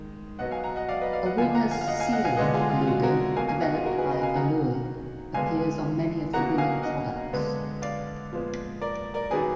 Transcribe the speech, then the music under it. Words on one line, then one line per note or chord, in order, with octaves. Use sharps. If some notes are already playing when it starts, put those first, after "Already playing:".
A "winners' seal" logo, developed by "Allure", appears on many of the winning products.
Already playing: D#3 G#3
B2 F#3 B3 D#5 F#5
F5 G#5
F#5 A#5
D#5 F#5
D5 F5
B4 D#5
D5 F5
D#5 F#5
D3 F3 A#3 F5 G#5
F#5 A#5
F5 G#5
F5
D#5 F#5
F5 G#5
D#5 F#5
F5 G#5
D3 G#3 B3 D#5 F#5
F4 G#4
F4
F4
F#4
F#4 A#4
B2 F#3 A#3 F5 G#5
F5 G#5
D#5 F#5
F4 G#4
F#4 A#4
G#4 B4
B4 D#5
F5 G#5
D#3 F#3 A#3 F#5 A#5
D3 G#3 B3 F5 G#5
B2 A#3 F#5 A#5
F5 G#5
D#5 F#5
D3 G#3 B3
D5 F5
A#2 F3 G#3 B3
A#4 D5
A#4 D5
D#3 F#3 A#3 G#4 B4